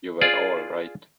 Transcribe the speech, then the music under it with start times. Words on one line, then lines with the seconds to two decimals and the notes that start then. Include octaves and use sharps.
You were all right.
0.21 F4 G#4 D5